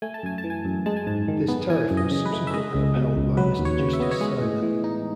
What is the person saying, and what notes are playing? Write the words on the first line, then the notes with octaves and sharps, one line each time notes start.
This tariff was subsequently upheld by Mr Justice Simon.
A3 G#5
A5
F#2 G#5
A5
E3
G#5
F#2
G#3 A5
G#5
G#2 A5
D#3
B3
E3 G#5
F#2
D#5
C#3
B4
A3
E5
G#3 D#5
C#2
B2
C#2
F#3 B4
D#2
C#5
C#3
E5
B3 D#5
C#5
G#3 D#5
A2
E3
D#4